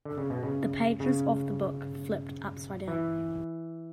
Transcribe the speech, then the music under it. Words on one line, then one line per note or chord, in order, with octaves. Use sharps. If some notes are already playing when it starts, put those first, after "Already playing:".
The pages of the book flipped upside down.
D3
C#3
B2
C#3
C#3
E3